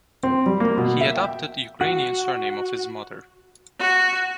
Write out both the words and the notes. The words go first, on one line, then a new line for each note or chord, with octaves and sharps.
He adopted Ukrainian surname of his mother.
C4
G3
A#3
B2
E5
G5
F#4
F#4